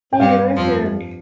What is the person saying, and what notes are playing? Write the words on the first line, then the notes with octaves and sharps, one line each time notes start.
He never served.
G5
G2 G3 F5
F2 F3